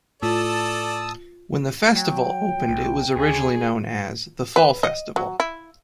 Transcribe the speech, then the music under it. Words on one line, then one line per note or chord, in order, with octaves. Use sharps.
When the festival opened it was originally known as the "Fall Festival".
A2 F4 A4 D5 A5 D#6 E6
F#3 G5
B1
D2 G#4
B4
D#5
F#3
E4